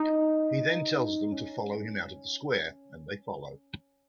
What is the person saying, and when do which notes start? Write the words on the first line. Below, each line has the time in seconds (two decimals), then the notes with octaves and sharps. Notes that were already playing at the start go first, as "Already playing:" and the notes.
He then tells them to follow him out of the square, and they follow.
Already playing: D#4
1.32 C#4